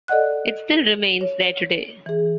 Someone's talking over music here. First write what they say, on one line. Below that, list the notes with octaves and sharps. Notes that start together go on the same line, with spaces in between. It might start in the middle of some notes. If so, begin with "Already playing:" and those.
It still remains there today.
A4 D5 D#5 F#5 F#6
C#5
E3 G#4